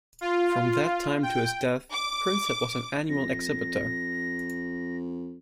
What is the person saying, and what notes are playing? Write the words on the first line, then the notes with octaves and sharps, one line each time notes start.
From that time to his death Prinsep was an annual exhibitor.
F4
G5
D6
F2 A#6